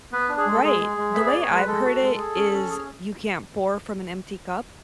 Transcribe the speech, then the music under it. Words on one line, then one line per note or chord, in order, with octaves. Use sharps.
Right. The way I've heard it is you can't pour from an empty cup,
B3 B4
D4
G#4
G#3
A4
G#3 G#4
G#3
G#3
B3 E5
D5
B3
C#5
G#3 B4
G#3 A4
F#4
G#3
G#4
C#4
C#4
G#4